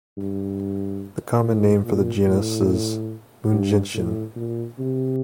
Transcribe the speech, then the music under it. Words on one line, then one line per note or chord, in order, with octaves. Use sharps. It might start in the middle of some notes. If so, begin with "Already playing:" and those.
The common name for the genus is 'Moon-gentian'.
G2
A2
A#2
A2
G2
A2
A#2
C3